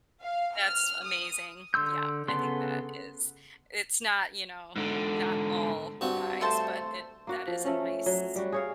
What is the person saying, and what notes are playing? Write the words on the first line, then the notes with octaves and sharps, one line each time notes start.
That's amazing, yeah, I think that is it's not, you know, not all guys, but it that is a nice
F5
F6
D#6
D3 C6 E6 G6
C#3 B3 A4 C6
G#2 D3
G2 C4 F#4
A3 C5 A5
A#3 F#4
F3
A3 C#4
F#3
G3 F#4
G#4 C#5 F5